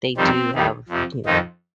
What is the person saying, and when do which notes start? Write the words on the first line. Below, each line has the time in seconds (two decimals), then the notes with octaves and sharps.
they do have, you know,
0.17 F2 D#3 G3 C4
0.53 D#2 D#3 G3
0.89 F2 C3 F3
1.26 F2 D#3 F3 D#4